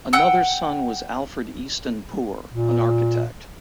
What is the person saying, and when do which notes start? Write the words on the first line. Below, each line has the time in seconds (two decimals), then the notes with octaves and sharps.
Another son was Alfred Easton Poor, an architect.
0.13 F#5 G5 E6
2.52 A#2